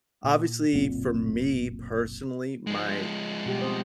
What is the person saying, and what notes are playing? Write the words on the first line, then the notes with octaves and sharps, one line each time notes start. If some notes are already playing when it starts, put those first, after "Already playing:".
Obviously, for me, personally, my
A#2
F#1 B1 A#2 C4
F3 G#3
B2 G3 G4
C4 C5 D#5